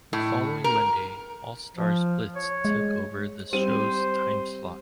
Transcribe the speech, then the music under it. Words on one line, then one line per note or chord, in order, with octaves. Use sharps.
The following Monday, "All-Star Blitz" took over the show's timeslot.
A2
A#4
F3
C#5
G#3
G3 C4 C5 D#7